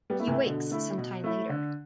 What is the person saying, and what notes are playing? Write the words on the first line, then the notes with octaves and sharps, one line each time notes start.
He awakes some time later.
G3 B3
A3 E4
C3 E3
B2 D3
A3 E4
B2
A3 E4
D3